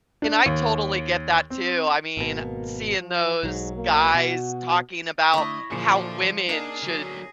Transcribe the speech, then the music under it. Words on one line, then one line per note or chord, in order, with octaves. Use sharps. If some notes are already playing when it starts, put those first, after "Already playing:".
and I totally get that too, I mean, seeing those guys talking about how women should
D4
D#2
C4
G#1 B2 A#3
F3
B1 G#2 F#3
A#3
B2 F#4
D3 A3 E4 C#5 D#5
A#2 D3 F3 G#4
A#3 D4 D#4 G#4 F5
D3 F#3